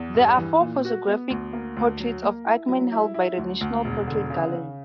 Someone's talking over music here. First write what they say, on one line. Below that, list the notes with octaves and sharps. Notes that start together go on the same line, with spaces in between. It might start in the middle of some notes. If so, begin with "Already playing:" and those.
There are four photographic portraits of Aikman held by the National Portrait Gallery.
Already playing: E2
G2
E3
A#2
F#4
B3
D2
A#3
D2
F#3
A#3
E4
F#3
E4
E4
D2
D2
E1
D3
C#3
C#3